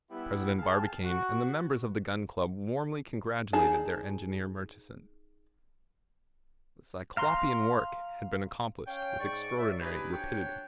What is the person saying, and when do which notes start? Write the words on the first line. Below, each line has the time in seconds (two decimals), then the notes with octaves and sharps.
President Barbicane and the members of the Gun Club warmly congratulated their engineer Murchison; the cyclopean work had been accomplished with extraordinary rapidity.
0.11 G3 B3 E4
0.59 G#4 F5 G5 A5
1.04 F#4
3.53 D#4 G#4 A5
7.17 F5 A#5 C6
8.87 C#4 C#5 F5 G5
9.19 G#2 D5 C#6
9.58 F#3 D5 E5
9.80 B3 D4 D#4 G4 G#4 B4
10.12 F2 F#3 D4 C#5 G5